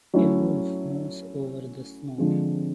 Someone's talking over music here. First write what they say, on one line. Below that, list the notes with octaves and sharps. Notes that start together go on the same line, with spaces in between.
A wolf moves over the snow.
F#3 A3 C#4 E4
D3 F3 G#3 C4